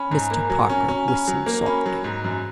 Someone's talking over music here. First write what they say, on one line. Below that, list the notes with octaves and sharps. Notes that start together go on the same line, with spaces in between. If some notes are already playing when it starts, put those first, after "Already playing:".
Mr. Parker whistled softly.
Already playing: C#4 B5
G#2 A#5
G#5
A#3 A#5
F#3
C#4
C#4
C#4
F#3
A#3
C#4 B5
F#3
G#2
F#2